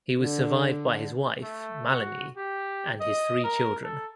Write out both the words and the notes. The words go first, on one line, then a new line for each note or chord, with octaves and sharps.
He was survived by his wife, Malinee, and his three children.
D3
A3
F#4
G4
D#5
A#4
A4